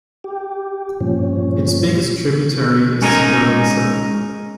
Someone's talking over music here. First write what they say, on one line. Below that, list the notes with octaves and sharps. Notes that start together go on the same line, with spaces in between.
Its biggest tributary is Aresa.
G4
G2 A#2 F3 C#4
G#3 C#4 D#4 A#4 D#5 G#5